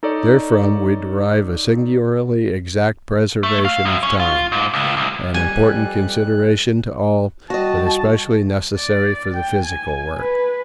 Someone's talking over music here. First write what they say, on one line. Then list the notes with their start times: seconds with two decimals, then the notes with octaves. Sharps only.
Therefrom we derive a singularly exact preservation of time--an important consideration to all, but especially necessary for the physical work.
0.03 D#4 A4 C#5 D5
3.43 A3
3.65 F5
3.85 F#2
4.03 C#4
4.20 F4
4.52 G#2
4.74 C#2
4.97 C2
5.34 F2 G3 G#5 F#6
7.50 G3 F#4 D#5 A5 C#6
8.76 D5
9.34 G5
9.65 G#5
10.19 B4